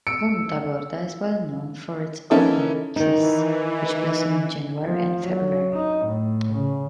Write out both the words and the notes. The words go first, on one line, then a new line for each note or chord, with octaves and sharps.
Puntagorda is well known for its almond trees which blossom in January and February.
E6 C#7 D7
E3 A#3 C#4 D#4 E4 A4
D#3 E3 D#4
F3
F#3
D#4
A2
C#3